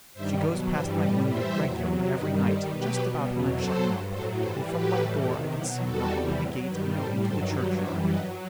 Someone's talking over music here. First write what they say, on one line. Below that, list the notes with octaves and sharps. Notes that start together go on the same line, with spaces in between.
She goes past my window regular every night, just about when I'm shutting up, and from my door I can see her open the gate and go into the churchyard.
G2 D#3 G3 C5 E5
B2 F#3
G2 E3 G3 C5 E5
A2 G3 B4 D#5
F#2 E3 G3 C5 E5
E2 C3 F#3
E2 C3 F#3
G2 D#3 G3 B4 D#5
G2 D#3 G3 A4 C5
B2 F#3 G4 B4
B2 G3
E2 B2 F#3
F#2 F#3 A4 C5
G2 F#3
A2 F#3 A4 C5
G2 E3 G3 A4 C5
A2 F#3 G4 B4
A2 E3 G3
E2 C3 D#3 F#4 A4
B2 F#3 E4 G4
E2 D#3 G3 F#4 A4
E2 C3 E3 G3
A2 F#3
G2 D#3 G3 G4 B4
A2 G3 A4 C5
G2 D#3 F#3 A4 C5
G2 F#3 G4 B4
F#2 E3 G3 C5 E5
G2 F#3 B4 D#5